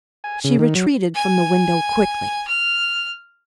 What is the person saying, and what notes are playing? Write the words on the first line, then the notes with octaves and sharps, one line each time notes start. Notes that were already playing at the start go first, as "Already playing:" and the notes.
She retreated from the window quickly.
G#5
C#3
D#3
F#3
G#5
F6